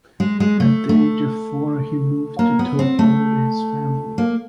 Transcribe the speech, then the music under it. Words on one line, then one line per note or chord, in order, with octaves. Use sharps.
At the age of four, he moved to Tokyo with his family.
G#3
G#3
A3
A3
A#3
B3
C4
A3
A#3